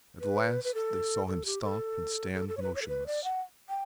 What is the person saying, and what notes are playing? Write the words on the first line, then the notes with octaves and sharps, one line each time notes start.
At last, they saw him stop and stand motionless.
B4
B4
A4
A4
G4
A4
A4
A4
C#5
B4
C#5
A4
B4
D5
F#5
G5